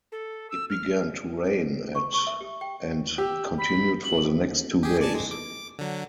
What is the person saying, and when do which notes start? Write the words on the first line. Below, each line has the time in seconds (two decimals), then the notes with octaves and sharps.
It began to rain at and continued for the next two days.
0.12 A4
0.50 E6
0.69 F6
1.95 C#6
2.14 C#6
2.27 E5
2.41 G4
2.61 G5
3.18 G4 E6
3.58 B5
4.05 F#7
4.83 G4 G#4
5.01 D5 G#5 A5
5.14 G#3
5.31 D6
5.79 D3 F#3